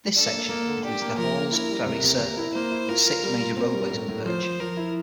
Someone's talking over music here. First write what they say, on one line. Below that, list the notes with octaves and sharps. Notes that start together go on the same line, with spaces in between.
This section includes the Halls Ferry Circle, where six major roadways converge.
D4 A4
A#3
A#3
D3
D4 G4
A#3
F3 A#4
A#3
E4 A#4
G3
C3 A#4
C3
C3
E4
A#3 C5
E4
F4 A#4
F4
G3
F4
C4 A#4
G3
A2
A2
F3 C5
F3
F3 A#4
E4